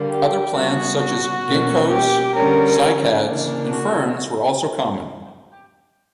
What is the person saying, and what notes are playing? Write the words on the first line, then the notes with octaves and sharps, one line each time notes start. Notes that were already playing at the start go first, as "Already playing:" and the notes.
Other plants, such as ginkgoes, cycads, and ferns were also common.
Already playing: D3 G3 A#3
G4
C#3 G3 B3 D4 F#4
F#4
B2 A#3 C#4
G4
D3 G3 C#4 A#4
C#3 E3 A#3 D4
F#4